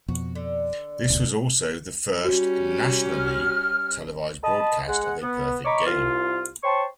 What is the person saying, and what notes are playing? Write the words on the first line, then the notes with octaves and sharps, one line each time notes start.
This was also the first "nationally" televised broadcast of a perfect game.
F2 B2 F#4
D3
F1 D2 B2
G3 C#4 F#4
F6
D#5 A5 B5
G#3 F#5
B3
C#5 D#5 A#5 B5 C#6 D6
C2 F4
C5 C#5 G5 A5 C6 C#6